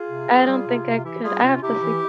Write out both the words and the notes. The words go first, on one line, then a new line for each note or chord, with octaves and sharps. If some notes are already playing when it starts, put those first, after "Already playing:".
I don't think I could. I have to sleep
Already playing: F4 G#4
C3
E3
G3
C3
C3
F4
E3 E4 G4
G3 F4 G#4
C3 C#4 F4
C3 E4 G4
E3